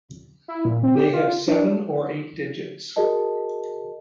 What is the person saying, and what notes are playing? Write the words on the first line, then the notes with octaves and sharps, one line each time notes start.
They have seven or eight digits.
E4
A#2
C4
G4
F4
D4
F#4 G#4 A#4 D#5 A5